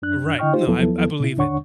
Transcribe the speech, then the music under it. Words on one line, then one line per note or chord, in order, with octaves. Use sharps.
Right, no, I b I believe it,
F#2 D4 F#6
D3 E4 D#5 G5 C#6 F6
D#4 F4 G4 C5
D#2 F3 F#3 B3 E4 A4
B2 E4
D#2 D3 D4 C#5 F#5 C#6